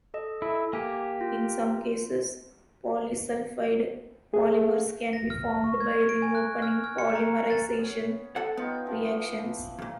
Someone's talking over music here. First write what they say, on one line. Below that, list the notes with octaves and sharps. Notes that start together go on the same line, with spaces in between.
In some cases, polysulfide polymers can be formed by ring-opening polymerization reactions.
A4 D#5
E4 A4
A#3 G4 G#5
F4
A3 G#4
A#6
F6
C#6
G#6
D7
G#5
F#6
F6
F6
C#7
A#5
A6
B3 C#4
A4 F#5
B3 D#4 F4 G5
E3 F3
E2 A#2 F5